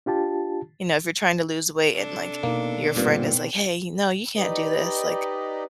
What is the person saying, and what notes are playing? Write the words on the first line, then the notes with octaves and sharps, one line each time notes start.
you know, if you're trying to lose weight, and, like, your friend is, like, "Hey, y no, you can't do this," like,
D4 F4 G4 A5
C3 D4 A4
B2 A#3 D#4
G2 A#2 B3 C4
D#4 G4 B4 D5 D#5